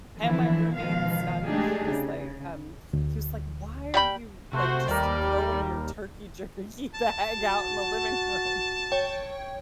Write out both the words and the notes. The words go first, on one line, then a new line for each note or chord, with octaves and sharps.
and my roommate, Scotty, he was like, um he was like, "Why are you, like, just throwing your turkey jerky bag out in the living room?"
D3 E3 F3 E4
G#2 B2 D#3 F3 F5
G#3 A3 D4 D#4 G4 G#4
C#3
D2
G3 G5 B5
C3 A3 F#4 C5
D#2 G3 G4 A#4 D5
A5
F#4
C#5 G5